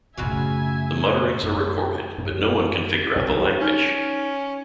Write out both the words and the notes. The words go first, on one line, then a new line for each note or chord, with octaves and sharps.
The mutterings are recorded, but no-one can figure out the language.
F#2 A2 C#3 F4 F#4 E5 G#5
F#2
F#2
C2
C#4 D#4 F6